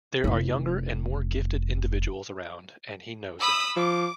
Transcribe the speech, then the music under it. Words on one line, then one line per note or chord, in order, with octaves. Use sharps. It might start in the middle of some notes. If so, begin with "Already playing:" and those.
There are younger and more gifted individuals around and he knows it.
F1 E4
B5 D#6 E6
F3 D6